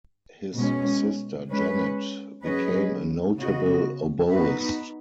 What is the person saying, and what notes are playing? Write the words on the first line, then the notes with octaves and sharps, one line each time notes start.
His sister Janet became a notable oboist.
B2 G#3 C#4
G#3 C#4 B4
F#3 C#4 G#4 B4 D#5
C#3 B3 F#4 D#5
B3 D#4 F#4 B4